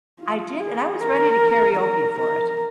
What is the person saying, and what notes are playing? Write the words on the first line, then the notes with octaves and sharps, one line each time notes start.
I did, and I was ready to karaoke for it.
F4
G#4
A#4
A#4
A#4